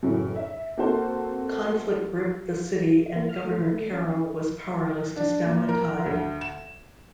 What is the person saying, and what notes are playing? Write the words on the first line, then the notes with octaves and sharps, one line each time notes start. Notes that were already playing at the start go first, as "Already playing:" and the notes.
Conflict gripped the city and Governor Carroll was powerless to stem the tide.
F#2 A2 C#3 E3
E5
A#3 C4 F#4 A4 C5
A#3
F6
A3
E3
A3
C#4
D4
A#2
A#4
D2
E7